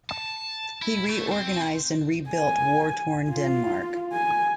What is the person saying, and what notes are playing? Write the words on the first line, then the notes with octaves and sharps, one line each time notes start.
He reorganized and rebuilt war-torn Denmark.
A5
E4
A3
C4
G#5
F4
G#5